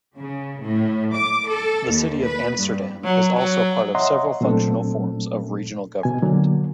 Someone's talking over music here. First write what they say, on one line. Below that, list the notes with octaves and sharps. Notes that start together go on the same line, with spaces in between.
The city of Amsterdam is also part of several functional forms of regional government.
C#3
A2
D6
A4
D#2
B4
G2
F#3
F#3
C#5 D#5 E5 F#5 A#5 C6
A#2 F#3 A3 C4 D4 A4
B2 G#5
D3 F#3 A#3